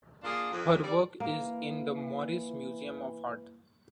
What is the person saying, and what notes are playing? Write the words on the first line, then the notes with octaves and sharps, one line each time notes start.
Her work is in the Morris Museum of Art.
A#3 D4 F4 G#4
F2
G3 D5
E3 A#3